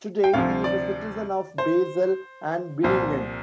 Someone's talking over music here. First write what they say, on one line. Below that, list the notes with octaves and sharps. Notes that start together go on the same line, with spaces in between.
Today, he is a citizen of Basel and Binningen.
G5
D2 C3 F3 F5
D5
C5
C2 A#2 F3 C5